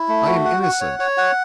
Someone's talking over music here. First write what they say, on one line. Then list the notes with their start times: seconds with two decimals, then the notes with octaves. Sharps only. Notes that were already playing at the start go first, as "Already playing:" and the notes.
"I am innocent."
Already playing: E4
0.08 A3
0.27 F#4
0.45 F#5
0.63 F#5
0.81 C#5
0.99 C#5
1.18 F#5